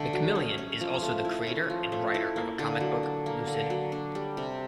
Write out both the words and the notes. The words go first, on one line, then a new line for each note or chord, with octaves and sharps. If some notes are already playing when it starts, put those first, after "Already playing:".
McMillian is also the creator and writer of a comic book, "Lucid".
Already playing: D3 A3
F#3
C#4
C#4
F3
A3
E4
C#4
F3
A3
E4
A#3
D3
F#3
D4
A#3
D3
F#3
D4
G3
C3